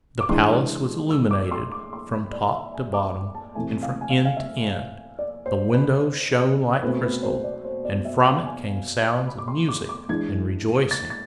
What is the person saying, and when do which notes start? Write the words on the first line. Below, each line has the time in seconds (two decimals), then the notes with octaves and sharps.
The palace was illuminated from top to bottom and from end to end; the windows shone like crystal, and from it came sounds of music and rejoicing.
0.21 D6
0.29 E3 G#3 D4 C6
1.11 E6
1.31 D6
1.51 C6
1.72 D6
1.93 C6
2.13 B5
2.33 D5
2.53 E5
2.74 G#5
2.94 D6
3.35 A5
3.55 C3 E3 A3 G#5
3.83 F5
4.01 G#5
4.10 F5
4.25 F5
4.37 E5
5.19 D5
5.46 C5
5.74 B4
6.82 B2 A3 C4 B4
7.03 B4
7.23 C5
7.44 D5
7.65 C5
7.85 D5
8.05 E5
8.26 F5
8.46 G#5
9.27 B5
9.38 D6
9.48 C6
9.69 D6
9.89 D6
10.09 E3 G#3 D4 G#6
10.91 A6
11.10 A6